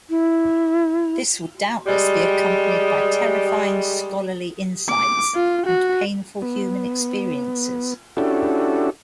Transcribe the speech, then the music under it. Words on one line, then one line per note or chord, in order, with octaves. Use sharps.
This would doubtless be accompanied by terrifying scholarly insights and painful human experiences.
E4
G3 G#3
D6
F4
F#4
B3
C#4 D4 E4 F#4 G4 A4